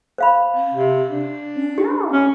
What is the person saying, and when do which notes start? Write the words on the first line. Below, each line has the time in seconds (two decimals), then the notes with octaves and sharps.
Uh, no.
0.18 C5 F5 B5
0.74 C3
1.09 D4
1.78 G4
2.12 C#4